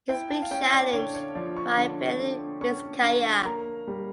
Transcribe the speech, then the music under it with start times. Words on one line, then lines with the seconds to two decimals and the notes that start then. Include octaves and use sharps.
He is being challenged by Fiel Vizcaya.
0.09 E4 G5
0.30 A5
0.42 F5
0.51 C#4 G5
0.72 D5
0.93 D3 C#5
1.15 C#5
1.35 F3 D5
1.57 C#6
1.77 D3
2.19 D3
2.61 C#4 C#6
3.03 D3
3.45 A#3 A#5
3.88 G3